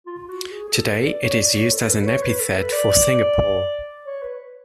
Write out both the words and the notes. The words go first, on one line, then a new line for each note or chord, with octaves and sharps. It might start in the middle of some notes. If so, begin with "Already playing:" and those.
Today, it is used as an epithet for Singapore.
F4
F4
F#4
F#4
G#4
G#4
A4
B4
D5
C#5
D5
C#5
A4
B4
C#5
B4
A4
B4
D5
C#5
B4